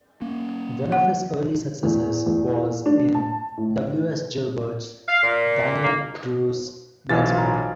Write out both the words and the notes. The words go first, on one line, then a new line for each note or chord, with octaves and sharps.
One of his early successes was in W. S. Gilbert's "Dan'l Druce, Blacksmith".
A#3 C#4
F#5
E2
E2
D4
A5
A2
F5
A#2
A#3
B1 E3 F3 C#4 G#4 A6
F4 A#5